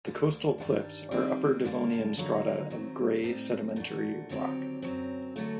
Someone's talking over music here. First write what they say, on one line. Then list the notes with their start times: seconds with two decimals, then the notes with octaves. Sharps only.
The coastal cliffs are Upper Devonian strata of grey sedimentary rock.
0.05 D2 D3 G3 A#3
0.58 G2 D#3 G3 D4
1.11 D#3 G3 C4 G4
1.64 F#2 D3 G3 A#3 D4
2.17 D3 F#3 A#3 D#4
2.70 D#2 D#3 F#3 C4
3.23 A2 G3 C4 D#4
3.76 A#2 A3 D4 F#4
4.29 D#2 D3 F#3 C4 G4
4.82 F#2 F#3 C4
5.36 D3 F#3 A3